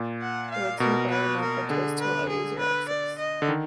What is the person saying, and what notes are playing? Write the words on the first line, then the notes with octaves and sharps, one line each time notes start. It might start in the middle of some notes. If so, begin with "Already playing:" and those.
The roads nearby were modified twice to allow easier access.
Already playing: A#2
F#5
F5
B2 A#4
B4
A#4
D3 G#4
B4
G#4
B4
D5
D#5
D3
D#3